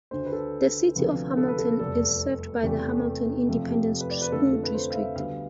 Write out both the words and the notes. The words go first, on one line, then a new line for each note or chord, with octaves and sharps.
The City of Hamilton is served by the Hamilton Independent School District.
D2 D3 A3 C5
B4
A4
D2 C3 F3 B3
A4
B4
A4
F1 E2 C3 G3 A4
E2 C3 E3 A3 G4
F2 C3 F3 A3
G4
B4
D5
B4
F2 D3 F3 A3 A4
A4
B4
C5
F5
E5
D2 D3 G3 B3 F5